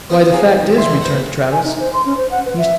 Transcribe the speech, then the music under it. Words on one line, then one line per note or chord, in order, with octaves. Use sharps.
'Why, the fact is,' returned Traddles, 'Mr.
B3 C4
F#3 G#4 F5
D#3
E5 C6
F2 E3
B4 C5 F#5
G#5
D#4
C5
C6
C#4
C5
F#5
B4
E5